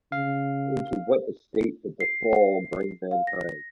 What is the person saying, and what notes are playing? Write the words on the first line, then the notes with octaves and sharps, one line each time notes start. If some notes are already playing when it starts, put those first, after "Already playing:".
Into what estate did the fall bring mankind?
C#3 F5
C7
F5
A#6